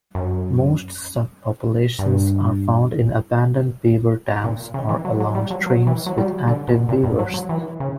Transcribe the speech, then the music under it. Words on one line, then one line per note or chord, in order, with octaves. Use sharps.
Most subpopulations are found in abandoned beaver dams or along streams with active beavers.
F#2
G2
A#2
C#3
E3
F#3
F#3
G3
F#3
F#3
E3
F#3
G3
F#3
D3
B2
A#2
G2
F#3
F#3
E3
C#3